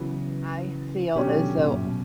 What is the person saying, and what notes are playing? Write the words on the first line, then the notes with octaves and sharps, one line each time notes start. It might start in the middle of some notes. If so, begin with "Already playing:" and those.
I feel as though,
Already playing: C#3 E3 F#3 B3
B2 D3 F#3 C#4 G4
A#2 C#3
F#2 A#2
B2